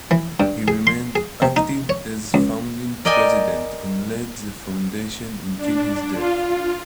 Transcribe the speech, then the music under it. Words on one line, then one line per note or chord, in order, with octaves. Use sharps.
He remained active as founding president and led the foundation until his death.
E3
G2
G#4
C6
G#4
C3
D#4
C#5
C#2
A#4 D5 D#5 G5 G#5
D4
F4